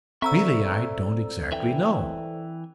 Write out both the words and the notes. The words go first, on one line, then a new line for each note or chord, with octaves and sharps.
"Really, I don't exactly know."
C4 A4 C5 D5 E5 A#5 C#6 E6
E3 E5 G5